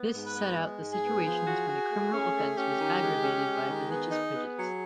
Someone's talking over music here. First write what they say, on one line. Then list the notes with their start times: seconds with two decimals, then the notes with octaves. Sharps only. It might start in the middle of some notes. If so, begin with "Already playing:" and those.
This set out the situations when a criminal offence was aggravated by religious prejudice.
Already playing: B3
0.14 G#2
0.25 B4
0.35 B3
0.58 G#3
0.80 G#2
0.92 G#4
1.03 B3
1.25 F3
1.47 F#4
1.68 F#4
1.92 A3
2.13 C#4
2.36 A3
2.57 C#4 G4
2.79 D#3
3.01 G#3
3.24 C#4
3.46 G#3
3.67 D#3
3.90 B3 G#4
4.11 D#4
4.35 B3
4.57 F#3